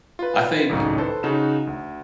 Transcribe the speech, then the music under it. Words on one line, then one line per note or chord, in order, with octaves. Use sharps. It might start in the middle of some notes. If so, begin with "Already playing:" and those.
I think
F4 B4
G#1 C#2 F#2 A2 D#4
A4 B4 C5
C#3 D#4 F#4 F#5 E7
D2